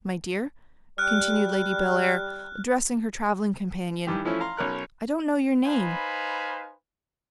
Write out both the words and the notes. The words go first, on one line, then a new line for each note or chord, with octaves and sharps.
My dear,' continued Lady Bellair, addressing her travelling companion, 'I don't know your name.
G3 F6 F#6
G2 D#3 E3 G4
E3 F3 A3 C#4 E4
F5 A#5 C6
B1 C#4 A#4 F#6
D#4 B4 C5 F5 G#5 B5